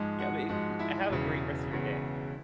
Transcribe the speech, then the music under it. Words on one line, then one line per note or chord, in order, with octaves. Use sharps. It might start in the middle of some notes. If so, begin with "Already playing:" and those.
Yeah, but it g have a great rest of your day.
Already playing: G#2 F3 G#3
F#4 F#5
G#2 F3 G#3 F#4 F#5
E4 E5
E1 E2 C#3
E1 E2 C#3